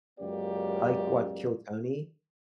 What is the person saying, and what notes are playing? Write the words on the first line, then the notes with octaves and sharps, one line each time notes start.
I like to watch Kill Tony,
C#2 F#2 A#3 G4 D5